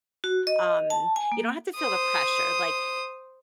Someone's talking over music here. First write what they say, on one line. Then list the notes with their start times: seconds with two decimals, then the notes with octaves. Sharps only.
um you don't have to feel the pressure. Like,
0.24 F#4
0.47 D#5
0.90 A5
1.16 G#5
1.32 A#3
1.77 C5 D#6